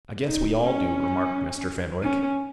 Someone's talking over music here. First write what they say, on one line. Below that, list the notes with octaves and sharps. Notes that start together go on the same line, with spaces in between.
"I guess we all do," remarked Mr. Fenwick.
D#4
C#4
C#4